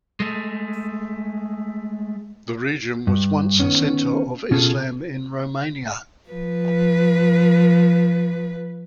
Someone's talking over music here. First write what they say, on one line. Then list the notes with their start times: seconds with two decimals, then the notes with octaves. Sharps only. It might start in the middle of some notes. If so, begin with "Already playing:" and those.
The region once was a centre of Islam in Romania.
0.20 G#3 A3
3.07 G2
3.60 D#3 B3 C#4
4.51 B2 C#4 F4 G#4 A4
6.29 F3 B4